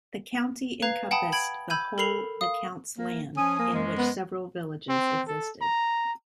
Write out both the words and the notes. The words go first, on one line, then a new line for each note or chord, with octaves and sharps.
The 'county' encompassed the whole the Count's land in which several villages existed.
B4 F5 A#5 G#6 C7 F7
F#5 G5 A5 B5 D#6
B5 G#6 D7 F#7
B5 E6 G6 G#6 D#7
A4 A#4 B5 C7 F7 F#7
F5 D#6
A#3
F3 C#4 G#5 D#6
A#3
F#2 F3 G#3
B3
C4
A4
A#5